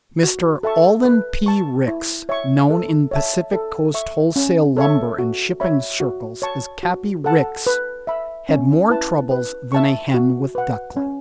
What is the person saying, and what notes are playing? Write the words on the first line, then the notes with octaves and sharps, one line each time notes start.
Mr. Alden P. Ricks, known in Pacific Coast wholesale lumber and shipping circles as Cappy Ricks, had more troubles than a hen with ducklings.
F#4
A4 E5 A5 C#6
B4
A5 C#6
E4
C#5 E5 C#6
A4
C#5 E5 A5
A4
E5 C#6
C#4
A4 C#5 E5 C#6
F#4
C#5 E5 B5
F#4
C#5 A5 C#6
F#4
A4 F#5 A5
B4
E5 B5
C#4
E4 B4 A5
B4
E5 A5 C#6
F#4
B4 F#5
C#4